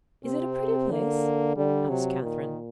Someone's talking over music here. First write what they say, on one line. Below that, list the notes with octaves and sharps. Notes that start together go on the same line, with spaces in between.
"Is it a pretty place?" asked Catherine.
C3 C4
D3 A#3
D3 G3
C3 F#3
A#2 D#3